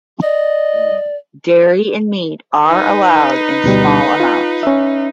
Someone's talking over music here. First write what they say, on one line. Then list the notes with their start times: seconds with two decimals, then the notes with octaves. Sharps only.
Dairy and meat are allowed in small amounts.
0.23 D5 D#5
2.67 D#4 B4
3.64 D2 B2 G3
4.20 F4
4.63 C#4 E5